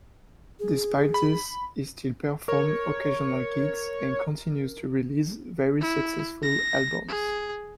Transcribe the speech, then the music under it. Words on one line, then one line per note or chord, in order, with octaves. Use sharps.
Despite this, he still performed occasional gigs and continues to release very successful albums.
G#4
B5
A#4 C#5
E4
A#6
G#4